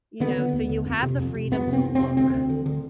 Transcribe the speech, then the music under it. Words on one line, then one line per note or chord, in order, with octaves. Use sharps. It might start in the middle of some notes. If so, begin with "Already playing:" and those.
you know, so you have the freedom to look,
D3 B3
D3
D#2
D3
F2
C3
F2
C3
F2 B3
C3
C4
F2
C3 C4
D2 C4
D2
D3
D3